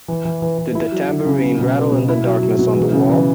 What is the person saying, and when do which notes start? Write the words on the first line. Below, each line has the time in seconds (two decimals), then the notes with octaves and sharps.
Did the tambourine rattle in the darkness on the wall?
0.08 E3
0.25 E3
0.42 E3
0.58 E3
0.75 E4
0.92 F#3
1.09 F#3
1.25 C#3
1.42 F#3
1.58 B2
1.76 B3
1.92 B2
2.09 E4
2.26 F#3
2.42 F#3
2.59 B2
2.76 E3
2.93 C#3
3.09 E3